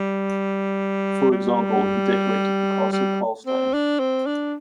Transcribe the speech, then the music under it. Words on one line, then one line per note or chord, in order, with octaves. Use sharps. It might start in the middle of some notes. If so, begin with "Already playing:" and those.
For example, he decorated the castle Karlstejn.
Already playing: G3
G3
G3
C4
D4
C4
D4